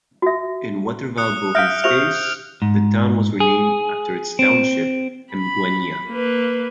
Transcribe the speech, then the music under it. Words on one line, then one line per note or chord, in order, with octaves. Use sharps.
In Waterval Boven's case, the town was renamed after its township, Emgwenya.
F#4 E5
D#6 F#6 C#7
E5 F5 F6 G6 D7
G4 C5 E5 F7
G#2
G#4
C4
B5
A#3 B4